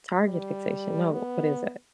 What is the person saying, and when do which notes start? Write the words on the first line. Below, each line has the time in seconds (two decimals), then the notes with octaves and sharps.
Target fixation. No. What is that?
0.23 G3
1.12 B3